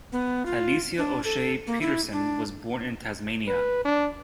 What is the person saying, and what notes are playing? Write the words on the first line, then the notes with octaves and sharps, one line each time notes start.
Alicia O'Shea Petersen was born in Tasmania.
B3
F4
D4
A4
A#3
E4
D4
B4
D4